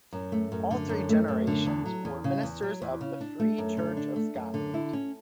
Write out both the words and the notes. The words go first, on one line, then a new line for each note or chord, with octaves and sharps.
All three generations were ministers of the Free Church of Scotland.
F#2
A3
F#2
D3
F#2
A3
F#2
D3
E2
F#3
E2
C#3
E2
F#3
E2
C#3
D4
A3
F#2
D3
D4
A3
F#2
D3
E4
C#4